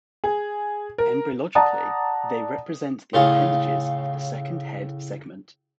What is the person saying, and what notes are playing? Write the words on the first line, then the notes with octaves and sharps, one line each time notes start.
Embryologically, they represent the appendages of the second head segment.
G#4
A#4
D5 F#5 A5 A#5 D#6
A2 C#3 F4 G#4 F5